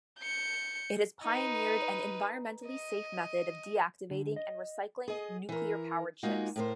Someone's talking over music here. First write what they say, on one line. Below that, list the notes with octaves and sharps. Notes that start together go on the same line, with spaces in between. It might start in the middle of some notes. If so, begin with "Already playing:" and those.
It has pioneered an environmentally safe method of deactivating and recycling nuclear-powered ships.
G6 C#7
D#4 B4
D#5
D3
D#5
G#4 D#5
E3 A#4
G#3 A#3 D#4 F4 F#4
A2 A#4 C5